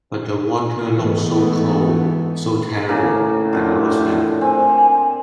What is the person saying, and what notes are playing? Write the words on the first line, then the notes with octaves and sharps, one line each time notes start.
But the water looked so cold, so terrible, and I was young.
G#2 E3 A3 B3
A2 C#3 A#3 A#5
A#2 D3 G5
C4 G#5